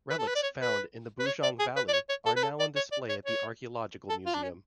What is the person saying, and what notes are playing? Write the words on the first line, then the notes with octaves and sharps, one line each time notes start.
Relics found in the Bujang Valley are now on display at the archaeological museum.
B4
A4
B4
D5
C#5
B4
B4
C#5
D5
G#4
B4
D5
C#5
C#5
A4
B4
A4
D5
C#5
D5
C#5
C#5
A4
F4
D4
C#4